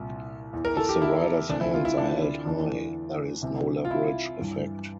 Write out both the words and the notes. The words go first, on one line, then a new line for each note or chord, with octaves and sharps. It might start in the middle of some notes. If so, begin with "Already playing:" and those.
If the rider's hands are held high, there is no leverage effect.
Already playing: C2 A#2
E2 E3
A#4
A4
G4
E4
D2 C3 E3 D4
E4
F4
E4
D4
E4
E2 E3 D4
C2 C3 E3
F4
E4
G2 E3